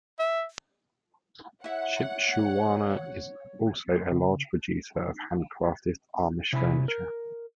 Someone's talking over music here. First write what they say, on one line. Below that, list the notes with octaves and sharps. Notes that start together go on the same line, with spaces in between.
Shipshewana is also a large producer of handcrafted Amish furniture.
E5
E4 C#5 E5 F#5
C#3
C3 E4 E5 G#5 B5
A#4